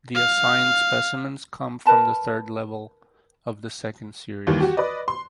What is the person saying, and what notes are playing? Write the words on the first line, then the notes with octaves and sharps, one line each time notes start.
The assigned specimens come from the third level of the second series.
F5
A#4 B4 A5 B5
D#2 D#3 E3 G3
F#4 G4
B4 D5 D#5
C6